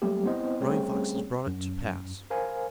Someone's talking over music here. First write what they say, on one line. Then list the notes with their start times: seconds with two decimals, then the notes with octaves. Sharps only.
Running Fox has brought it to pass.
0.02 F#3 G3 A3 A#3 C4 G4
0.25 B3 C4 E4 C5 D#5
0.61 G3 A3 C4 C#4 G#4 C#5
1.47 F#2
2.30 A#4 C5 F5 G#5